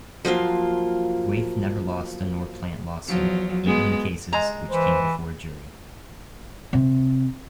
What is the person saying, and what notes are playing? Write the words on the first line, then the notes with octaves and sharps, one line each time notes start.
Wyeth never lost a Norplant lawsuit, even in cases which came before a jury.
F3 F#3 A#3 F4
E2 F3 F#3
G#3 B3
G#3 A#5
E3 C5
C3